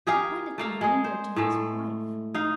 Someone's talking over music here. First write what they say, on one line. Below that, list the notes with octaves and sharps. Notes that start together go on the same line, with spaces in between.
He pointed through the window to his wife.
G4 G#4 A#4 F5
A3 A#3 F5
G#3 G#4
C5
A2 G#3 A3
D#4 F5